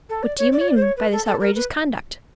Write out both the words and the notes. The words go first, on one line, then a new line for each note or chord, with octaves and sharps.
What do you mean by this outrageous conduct?
A4
D5
C#5
D5
C#5
D5
C5
C#5
B4
A4
A4
A#4
B4